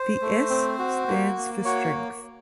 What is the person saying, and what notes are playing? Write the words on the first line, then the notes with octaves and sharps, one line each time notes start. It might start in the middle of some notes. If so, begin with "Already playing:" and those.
The S stands for "Strength".
Already playing: C5
A3
C4
F#4
A#3
A#3
F#4 C#5